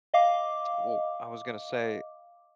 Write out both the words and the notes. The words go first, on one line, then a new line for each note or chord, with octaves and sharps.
Well, I was gonna say
D#5 F5 D6